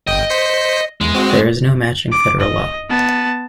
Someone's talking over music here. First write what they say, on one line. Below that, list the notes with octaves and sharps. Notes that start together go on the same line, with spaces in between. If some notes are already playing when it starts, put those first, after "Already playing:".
There is no matching Federal law.
G1 D#5 G5
C5 B6 C#7
E2 G#3
C4 F#4
D6
D#5
B3 A5